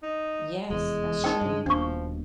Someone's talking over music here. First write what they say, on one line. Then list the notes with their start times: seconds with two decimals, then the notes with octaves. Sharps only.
Yes, that's true.
0.03 D#4
0.70 F1 E2 G#3
1.24 D#4 A#4 G5
1.41 G2 C#3
1.66 D#1 D#2 B2 F3 D4 C#6